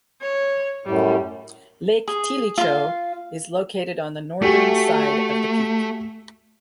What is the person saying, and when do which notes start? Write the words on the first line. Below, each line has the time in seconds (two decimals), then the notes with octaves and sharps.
Lake Tilicho is located on the northern side of the peak.
0.21 C#5
0.86 F#2 A2 G3
2.08 G#4
2.58 F4 F5
4.42 A3 F#4 G4 G#5